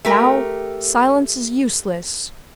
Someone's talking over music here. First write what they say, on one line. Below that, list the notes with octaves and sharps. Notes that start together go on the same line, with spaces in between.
Now silence is useless.
A3 G4 A#4